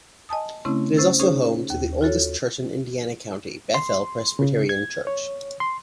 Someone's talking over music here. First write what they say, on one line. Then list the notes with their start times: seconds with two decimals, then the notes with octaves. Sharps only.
It is also home to the oldest church in Indiana County, Bethel Presbyterian Church.
0.29 D#5 G#5 A5 D#6
0.65 C#3 A3 C4 C#4 E4
0.97 C#4 C5 E6 A6
1.20 C#4 D#4 G#4 C5 C#5
1.70 D#2
2.01 F4 F#4 A4 C#5
3.74 C6
4.39 C#3
4.69 G#6
5.07 C#5
5.60 C6